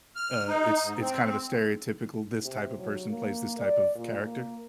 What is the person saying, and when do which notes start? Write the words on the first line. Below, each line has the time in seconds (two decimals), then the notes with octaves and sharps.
uh, it's it's kind of a stereotypical this type of person plays this type of character?
0.16 F6
0.48 D#4
0.82 G#2
1.01 C4
1.24 C4
2.41 C3
2.78 F#3
3.09 A#3
3.59 D5
3.95 A#2
4.24 A#3